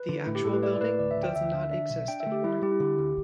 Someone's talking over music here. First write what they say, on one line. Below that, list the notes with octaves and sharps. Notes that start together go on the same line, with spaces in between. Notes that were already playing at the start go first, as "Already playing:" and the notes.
The actual building does not exist any more.
Already playing: B4
D3
A2 E4
G4
A2 A4
B4
E4 D5
D5
A2 B4
D2 D5
E5
D2
G5
D2 E5
D3
D4 E5
B1
D4 G5
E5
A3
G4
G3 E4
G3 G4
E4
D3 G4
D2